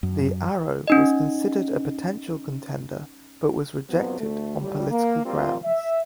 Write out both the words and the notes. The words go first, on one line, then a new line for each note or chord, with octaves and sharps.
The Arrow was considered a potential contender, but was rejected on political grounds.
F#2
C#4 D#4 D#5
B1 G2 F3 F#3 B3 C4
D2 A3
D#2 A2 F#3 G3
A#3
G3 A#3 C4 F4
E5